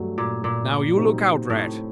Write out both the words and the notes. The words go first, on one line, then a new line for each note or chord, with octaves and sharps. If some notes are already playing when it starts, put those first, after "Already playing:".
Now, you look out, Rat!
Already playing: G2 F#3 A3
A#2
A#2
C3 F#3 C4 D#4 G4
A2